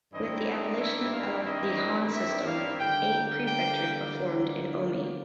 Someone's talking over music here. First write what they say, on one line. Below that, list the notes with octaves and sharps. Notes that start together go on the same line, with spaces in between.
With the abolition of the han system, eight prefectures were formed in Omi.
G2 D#3 G3 C4 E4 D#5
E5
F5
D#5
E5
F5
D3 G3 A#3 G5
G5